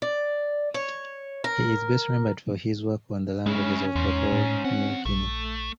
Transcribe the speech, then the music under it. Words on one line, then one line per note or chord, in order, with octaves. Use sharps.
He is best remembered for his work on the languages of Papua New Guinea.
D5
C#5
A#4
C#3 G#3 C#4 E4
E2 G#2
A2
E2 C4 F#5
A#1 A3